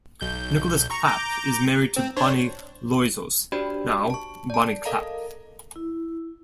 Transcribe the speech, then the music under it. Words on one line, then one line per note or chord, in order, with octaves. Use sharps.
Nicholas Clapp is married to Bonnie Loizos, now Bonnie Clapp.
B1 G6
A#5 C#6
A#5 D6 G6
C4
D4 C5 C#5
D4 F#4 G4 C5 D5 B5
A5 C#6
D5 A5
A4 A#4 D#5 F5 A#5
E4